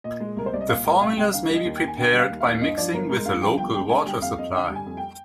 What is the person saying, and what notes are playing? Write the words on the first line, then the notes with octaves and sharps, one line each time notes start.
The formulas may be prepared by mixing with the local water supply.
A#2 D#5
G#3
C2 A#4
C5
C2 D5
D#5
A#2 F5
G#3 G5
C2 F5
C2 G5
D3 F5
G3
D#5
D#2
G5
D#2
G#5
D3 G5
G3
F5
D#2
F5
D#2
G2 D#5
F3 D5
G1 A#4
G#3 A#4
G2 F5
F3 G5
G1 G5
G#3 G5
D3 G#5
G3 G5
F2 F5
F2 D#5
D3 G5
G3
G#5
F2
G5